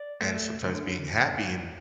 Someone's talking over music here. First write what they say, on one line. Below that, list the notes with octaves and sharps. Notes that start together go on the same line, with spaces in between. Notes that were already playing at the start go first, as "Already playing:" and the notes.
and sometimes being happy and
Already playing: D5
A3
D3